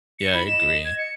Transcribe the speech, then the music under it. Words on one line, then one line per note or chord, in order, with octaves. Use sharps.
Yeah, I agree.
C#7
E4 B5
D#5 E7
G#6
C#7